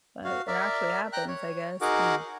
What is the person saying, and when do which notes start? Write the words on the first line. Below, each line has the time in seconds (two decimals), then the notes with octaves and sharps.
But it actually happens, I guess, n
0.24 F#4 F5
0.47 A#4 D5 E5
1.13 G5 A#5 F#6
1.28 C#5
1.81 D#4 F#4 G#4 A#4 F#5 D6